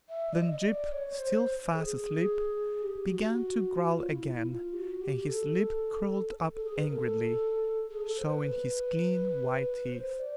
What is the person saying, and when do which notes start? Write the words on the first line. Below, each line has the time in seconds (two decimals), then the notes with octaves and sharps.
Then Jip, still fast asleep, began to growl again and his lip curled up angrily, showing his clean, white teeth.
0.09 E5
0.33 D5
0.37 D#5
0.52 D#5
0.65 D5
0.91 C#5
1.09 C#5
1.19 C5
1.73 A4
1.76 G#4
2.82 G4
3.09 F#4
3.92 F4
4.10 E4
4.28 E4
4.46 F4
4.73 G4
4.77 F#4
5.01 G4
5.28 A4
6.56 A4
6.64 G#4
6.76 B4
6.84 A#4
6.92 A4
7.91 G#4
8.01 A4
8.18 C5
8.28 B4
9.92 C5
10.19 D5